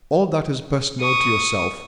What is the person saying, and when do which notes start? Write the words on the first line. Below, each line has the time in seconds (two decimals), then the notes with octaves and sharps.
All that is best known to yourself.
1.01 C#6 D#6